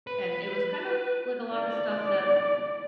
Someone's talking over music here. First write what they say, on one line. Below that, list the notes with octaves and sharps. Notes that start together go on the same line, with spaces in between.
and it was kind of, like a lot of stuff that,
B4
D5